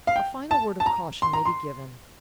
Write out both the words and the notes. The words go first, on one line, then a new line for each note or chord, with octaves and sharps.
A final word of caution may be given.
F5
G5
A5
A5
A#5
C6
A#5
C6